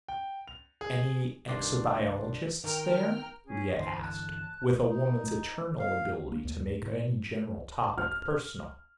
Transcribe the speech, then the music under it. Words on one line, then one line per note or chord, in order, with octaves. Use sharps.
"Any exobiologists there?" Lea asked, with a woman's eternal ability to make any general topic personal.
G5
F7
G#4
C2 G2 D#3 D4 D5 C6
D#3 A#4 G5 F6
C#4 G#4
G1 D3 E3 C5
A5 F#6
D#4
F5
A#3
D#2
A2
F6